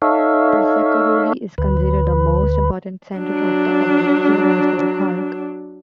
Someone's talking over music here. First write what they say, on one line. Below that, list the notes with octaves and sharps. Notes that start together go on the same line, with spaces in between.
Pescasseroli is considered the most important center of the Abruzzo National Park.
D#4 A4 C#5 E5 F5
D2 B4
F#3 D4